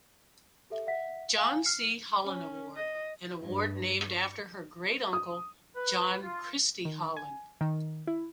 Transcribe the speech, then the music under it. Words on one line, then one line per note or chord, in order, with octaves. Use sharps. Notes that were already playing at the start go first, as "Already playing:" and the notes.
John C. Holland Award, an award named after her great uncle John Christie Holland.
G4 A4 E5
E5 F#5 B6
F5 G#5
F6 C7 C#7
C#4
D#5
G2
C#6
D#6
B4
F4
D#3
G#5
D#3
E4